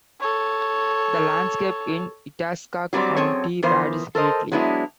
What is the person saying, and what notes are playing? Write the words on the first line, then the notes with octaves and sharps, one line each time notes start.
The landscape in Itasca County varies greatly.
A4 C#5
F#3 G3 C4 D4 D5
F#2 C4 G#4 A4 C#5
E3 F3 B3 A#4 C5
A4 A#4 C5 D#5
F#3 G#3 B3 D4 E4